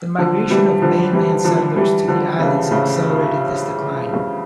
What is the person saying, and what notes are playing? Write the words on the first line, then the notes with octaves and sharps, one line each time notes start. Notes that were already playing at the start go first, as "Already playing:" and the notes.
The migration of mainland settlers to the islands accelerated this decline.
D3 F3
E3 G3
D3 F3
E3 G3
D3 F3
E3 G3
D3 F3
C#3 E3
A2 C#3